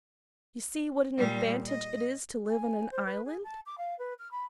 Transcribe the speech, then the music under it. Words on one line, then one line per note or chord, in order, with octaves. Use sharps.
You see what an advantage it is to live on an island!
A#2 G3
D#5
G#5
C5
B4
G#4
A5
D6
F5
B4
F6
B5